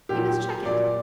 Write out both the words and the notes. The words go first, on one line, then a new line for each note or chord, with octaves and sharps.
You must check it.
A#2 F#3 G4
A#2 F#3 D5